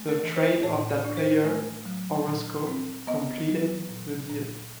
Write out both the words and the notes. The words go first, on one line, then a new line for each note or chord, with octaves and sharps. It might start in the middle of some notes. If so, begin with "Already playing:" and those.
The trade of that player, Orosco, completed the deal.
Already playing: A3
A#4
E3
C5
A2 C#5
D5
D4
C5
A3
F#3
A#2
C4
B3 D#5
F#3
A#2
A#2